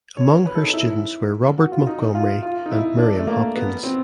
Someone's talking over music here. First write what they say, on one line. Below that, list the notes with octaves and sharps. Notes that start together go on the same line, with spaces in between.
Among her students were Robert Montgomery and Miriam Hopkins.
C#5
B4
A4
D#4
E4
F#4
F4
D#4
F4
F4
D#4
E4
D4
A3
A#3
B3
C4